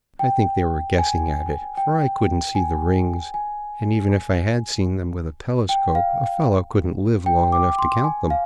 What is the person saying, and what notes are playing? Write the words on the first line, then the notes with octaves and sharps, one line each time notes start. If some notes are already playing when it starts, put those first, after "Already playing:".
I think they were guessing at it, for I couldn't see the rings, and even if I had seen them with a telescope a fellow couldn't live long enough to count them.
G5
G#5
G5
G#5
G#5
G5
F5
G5
D6
C6
G#5
F5